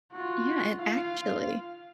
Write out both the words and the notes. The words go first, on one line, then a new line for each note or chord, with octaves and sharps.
Yeah. And, actually"
F4 F#4
F4 F5